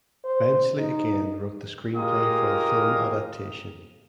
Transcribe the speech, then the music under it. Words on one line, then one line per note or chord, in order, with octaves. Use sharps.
Benchley again wrote the screenplay for the film adaptation.
C5
D#4
G#3 F4 G4 A#4 F5 D#6